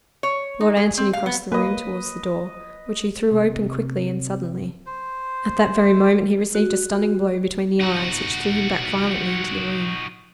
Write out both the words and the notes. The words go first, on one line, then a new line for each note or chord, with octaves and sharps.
Lord Antony crossed the room towards the door, which he threw open quickly and suddenly; at that very moment he received a stunning blow between the eyes, which threw him back violently into the room.
C#5
D#4
G#4
C4
F5
B3
A#3 B4 D#5
C3
C5
F#4
D#4 F#4